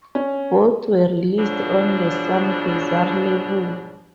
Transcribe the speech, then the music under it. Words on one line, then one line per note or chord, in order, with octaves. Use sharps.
Both were released on the Some Bizzare label.
C#4
G#2 B2 F3 F#3 D4